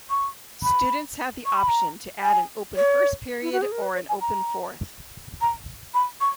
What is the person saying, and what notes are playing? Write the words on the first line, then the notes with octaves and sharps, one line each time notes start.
Students have the option to add an open first period or an open fourth.
C#6
B5
C#6
B5
A#5
G#5
C#5
E4
F#4
G#4
A#4
B4
C#5
G#5
A#5
A#5
B5
C#6